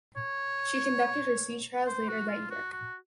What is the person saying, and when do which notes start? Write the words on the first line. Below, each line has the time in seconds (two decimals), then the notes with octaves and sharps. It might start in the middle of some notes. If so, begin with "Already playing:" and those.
She conducted her sea trials later that year.
0.16 C#5
1.87 C5
2.09 F#4
2.29 F4
2.50 F#4
2.72 F#4